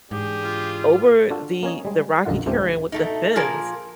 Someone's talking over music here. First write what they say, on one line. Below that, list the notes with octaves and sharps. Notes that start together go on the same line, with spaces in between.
over the the rocky terrain with the fins,
G#2 E3 D4 G4 G#4
F4
D4 F4 F#4 A4
A#3 C#4 C#5 D#5
G3 G#3
A#1 F#2 D3 D#3 F4 F#5
C#2 G#2 A3 C4 G4
B2 A3 D#4
A#2 F3 A#3 G#4 A#4 A5